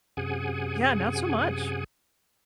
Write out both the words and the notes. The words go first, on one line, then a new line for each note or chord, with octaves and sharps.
yeah, not so much.
F#2 C3 G#4 F#5 G#5